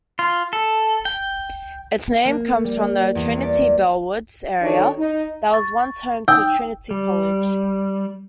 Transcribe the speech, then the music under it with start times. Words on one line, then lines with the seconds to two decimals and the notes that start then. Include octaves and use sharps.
Its name comes from the Trinity-Bellwoods area that was once home to Trinity College.
0.19 F4
0.53 A4
1.05 G5
2.25 A#3
2.64 G3
3.15 E2
3.42 D5
4.62 D#3 D4 D#4 F#4 A4 C#5
4.98 D#4
5.51 C#6 A6
6.28 D#4 G5 D#6 E6
6.91 G3